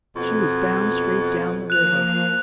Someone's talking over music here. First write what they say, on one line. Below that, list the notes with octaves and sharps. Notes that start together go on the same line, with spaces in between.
"She was bound straight down the river."
F2 B2 B3
F3 A#3 F#6 F7